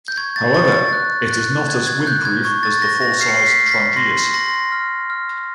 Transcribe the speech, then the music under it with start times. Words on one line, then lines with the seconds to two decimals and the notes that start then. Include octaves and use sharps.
However, it is not as windproof as the full-size Trangias.
0.08 G6
0.17 C#6 G#6
0.36 A6
0.54 C#6 A6
0.74 A6
0.93 F#6
1.31 F#6
1.69 F#6 G#6
1.87 G#6
2.06 F#6 G6
2.25 G#6
2.45 C#6 G#6
2.63 A6
2.82 C#6 A#6
3.02 A#6
3.20 F6 C7
3.28 C#7
3.36 C7
3.46 B6
3.59 F6
3.71 B6
3.96 C6 A#6
4.34 C6 A#6
4.72 F6
5.10 F6